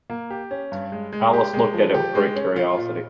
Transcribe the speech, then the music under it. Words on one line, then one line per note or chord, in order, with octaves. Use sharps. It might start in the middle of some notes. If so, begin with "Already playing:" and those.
Alice looked at it with great curiosity.
A#3
G4
C#4
G2
G#3
G#3
G4
G#3
F3
G4
G#3
C#4
F4
A#2